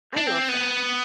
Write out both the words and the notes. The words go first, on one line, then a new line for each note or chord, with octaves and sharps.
I love that
D4
C4
B3